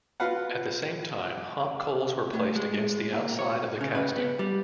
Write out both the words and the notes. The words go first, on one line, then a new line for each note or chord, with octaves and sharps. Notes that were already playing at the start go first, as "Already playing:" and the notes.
At the same time hot coals were placed against the outside of the casting.
F4 F#4 B4 F5 F#5
A2
G#3
A#2
C#5
C#3
B4
B3
G3